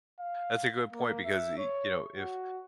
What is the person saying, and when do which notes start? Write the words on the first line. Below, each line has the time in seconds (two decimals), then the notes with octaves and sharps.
that's a good point because, e you know, if
0.19 F5
0.93 A#3
1.25 E5
1.58 C#5
2.17 F#4